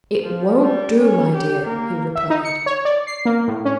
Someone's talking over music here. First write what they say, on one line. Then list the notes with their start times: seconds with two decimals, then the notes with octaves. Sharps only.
"It won't do, my dear," he replied.
0.24 F3
0.63 G3
0.99 C#4
1.35 G4
1.66 A#3
2.15 E5
2.30 D#4
2.45 C#7
2.66 C#5
2.85 D5
3.07 C7
3.25 A#3
3.47 A2
3.65 C#4